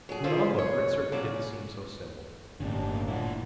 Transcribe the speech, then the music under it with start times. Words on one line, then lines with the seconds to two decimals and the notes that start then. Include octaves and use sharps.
To an onlooker it certainly didn't seem so simple.
0.09 F#3 G#4
0.24 E4 F4 G#4 C5
0.58 C#5
1.12 C#3 F#3 D5
2.60 G1 D#2 A2 C#3 D4
3.08 A#2 F3 E4 F#4